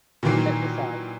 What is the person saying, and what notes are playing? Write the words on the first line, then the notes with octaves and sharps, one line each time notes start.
Check this out.
A#2 D#3 E3 F#3 A#3